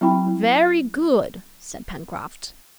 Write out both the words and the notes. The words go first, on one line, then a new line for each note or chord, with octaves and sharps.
"Very good," said Pencroft.
F#3 C4 E4 G5 B5